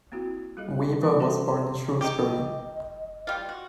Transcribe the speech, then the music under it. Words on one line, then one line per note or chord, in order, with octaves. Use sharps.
Weaver was born in Shrewsbury.
A#3 C4 E4 F#4
G3 F4 G#4 D#5
E3 G3 B3 G#5
C#4 F#4 A4 C5 E5 F#5
D#4 G4 D#5
G3 F4
F#4